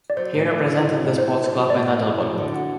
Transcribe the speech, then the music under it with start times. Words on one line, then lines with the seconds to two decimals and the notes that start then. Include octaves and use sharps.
He represented the sports club in Adelboden.
0.10 D5
0.17 F#3 C5
0.34 A2
0.51 A2
0.67 C4
0.85 F#3
1.01 A2
1.18 A2 C5
1.36 C4
1.44 C5
1.52 F#3
1.69 A2 D5
1.87 A2
2.03 C4
2.20 F#3
2.38 D3
2.54 F#4